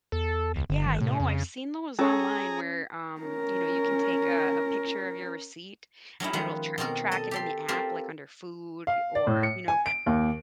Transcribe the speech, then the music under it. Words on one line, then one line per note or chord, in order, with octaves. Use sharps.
Yeah, I know, I've seen those online where, um, you know, you can take a a picture of your receipt, and it'll tra track it in the app, like, under food y or you know
E2 A4
C#2
G1 D3
D#3
A2 C3
F2 C#3
C#4 G#4 A4 C#5 A#5
C#4 A#4
F#3 C#4 D#4 E4
D#3 F3 G#3 B4 F#5
B2 C4 F#4 A#4
A4 D#5
G4 A4 C6
C4 F4 G4 A4 A#4 C5
F5
D5
A2
C#7
G#5
D7
D#2